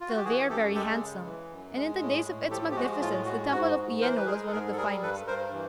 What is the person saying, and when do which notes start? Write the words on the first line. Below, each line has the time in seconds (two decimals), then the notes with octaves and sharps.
Still they are very handsome, and in the days of its magnificence the Temple of Uyeno was one of the finest.
0.01 F4
0.08 F#4
0.17 G4
0.24 E3 F#4 G#4
0.49 F#2 G4 A4
0.74 G#3 G4 A4
0.99 C#3
1.24 E3
1.51 F#2
1.75 G#3
2.01 A2
2.25 A2
2.51 F3 G4 A4
2.71 G4
2.76 G#3 F#4
3.01 A2 F4
3.25 G#3 F#4
3.51 G#2 F#4
3.76 G#2
4.02 E3 A#4 C5
4.17 B4
4.26 G#3 G#4 A#4
4.47 A4
4.51 G#2 G#4 A#4
4.72 A4
4.77 G3 G#4 A#4
5.02 G2 A4 B4
5.27 G2 A#4 C5
5.53 E3